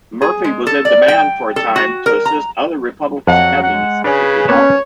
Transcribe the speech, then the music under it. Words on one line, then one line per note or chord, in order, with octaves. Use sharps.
Murphy was in demand for a time to assist other Republican candidates seeking office.
G#4
G#3
A4
D5
G5
A4
F#4
A#4
A#5
F2 F#3 F#5
G#3 F#5
C#3 D4 G#4 B4 C#5
A#3 B3 C#4 C#5 A5